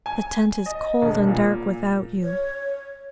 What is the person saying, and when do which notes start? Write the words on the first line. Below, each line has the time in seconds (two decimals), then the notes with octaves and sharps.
The tent is cold and dark without you....
0.06 G#5
0.66 D#5
1.02 E1
1.28 A#2
2.23 C#5